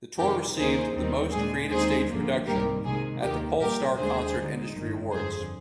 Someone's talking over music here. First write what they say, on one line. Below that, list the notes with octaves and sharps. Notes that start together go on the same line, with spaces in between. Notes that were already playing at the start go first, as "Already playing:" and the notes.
The tour received the "Most Creative Stage Production" at the Pollstar Concert Industry Awards.
F2 C3 D#3 G3 G4 A#4
D2 C3 D#3 A#3 D#4 G#4 C5
D#2 D#3 G3 C4 D#4
A#2 G#3 D4 G#4
D#2 D3 G#3 C4 D#4 G#4 C5
G#1 G2 D3 F3 A#3
C2 C3 D#3 G3 A#3 G4 A#4
C2 C3 D#3 G#3 G#4
D#2 D#3 G#3 G4 A#4
A#1 A#2 G3 G4 A#4
D#2 D3 G#3 D4 G#4 C5
D2 D3 G#3 D#4
G#1 G2 D#3 G#3
G1 F2 D3 G#4 C5